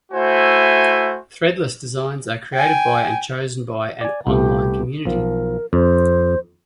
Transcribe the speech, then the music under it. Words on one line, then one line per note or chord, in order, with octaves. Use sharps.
Threadless designs are created by and chosen by an online community.
A3 E4 F#4 C5 G#5
G5 G#5
D5 G#5
C2 A3 B3 G4
B1 F3 A#4
F2 C5